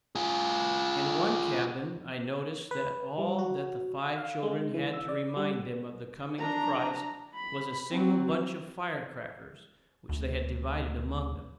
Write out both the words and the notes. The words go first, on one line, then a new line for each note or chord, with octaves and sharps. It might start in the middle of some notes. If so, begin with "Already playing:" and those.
In one cabin I notice that all that the five children had to remind them of the coming of Christ was a single bunch of firecrackers, which they had divided among them.
F4 G#4
B4
G3
F#4
F5
G#3
E3
E6
D5
G3
D4 A#5
B5
F#3 C4
D2